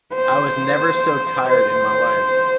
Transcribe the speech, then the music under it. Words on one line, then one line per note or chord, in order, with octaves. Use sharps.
I was never so tired in my life.
C5
C5